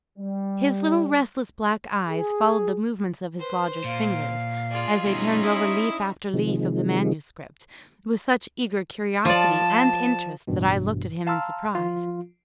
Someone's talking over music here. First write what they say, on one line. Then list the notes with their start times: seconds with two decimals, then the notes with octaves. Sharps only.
His little restless black eyes followed the movements of his lodger's fingers, as they turned over leaf after leaf of the manuscript, with such eager curiosity and interest that I looked at him in surprise.
0.18 G3
2.08 G#4
3.40 B4 C5
3.84 A#2 F5
4.71 F4 G#4 D5
5.06 G2 B2 C#4 D#4 E5
5.43 E4 D#6
6.34 C3 D#3 F3 G#3
9.25 F3 D5 A5
10.47 A1 G2 B2
11.27 F5 A5 A#5 C6 E6 F6
11.75 F3 F4